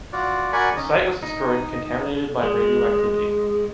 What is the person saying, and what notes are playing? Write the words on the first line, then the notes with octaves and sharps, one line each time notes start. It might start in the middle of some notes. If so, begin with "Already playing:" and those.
The site was destroyed and contaminated by radioactivity.
F4 F#4 D5
F#4 A#4 D5 G#5 B5 C#6
C#4 D#4 D#5
D#4
G#3